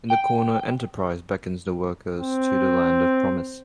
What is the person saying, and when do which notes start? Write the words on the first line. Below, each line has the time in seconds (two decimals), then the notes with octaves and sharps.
In the corner "Enterprise" beckons the workers to the Land of Promise.
0.10 G5
2.17 C4